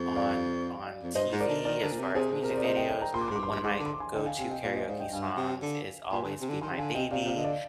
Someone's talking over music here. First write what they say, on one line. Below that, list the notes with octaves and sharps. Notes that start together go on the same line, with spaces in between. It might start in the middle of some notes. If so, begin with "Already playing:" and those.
on on TV as far as music videos. One of my go to karaoke songs is Always Be My Baby,
Already playing: F2
D5 F5
F2
G2 C5 D#5
G#2
A#4 D5
D3
D#3 A#4 D5
D3
A#2
C3
C3 G#4 C5
D3
C3 A#4
C5
D5
C5 D#5
D#5 G5
D#5 G5
G5 A#5
A#2 C6
D6
C6
G#2
D6
G2
C6
G2 D6
C6
G#2 D6
C6
D3 D6
C6
D6
G#5 C6
D3 D#5 G5
F5 G#5
C3 F5 G#5
D#5 G5
A#2 D5 F5
C5 D#5
G#2 D5 F5
D#5 G5
G2 F5 G#5
C3
D3
D6
A#2 G#5 C6
D3
C3
D3
D#3 G#5 C6
C3
D3 F5 G#5
C3 D#5 G5
C3 D5 F5
C3 D5 F5
D3 D#5
D5 F5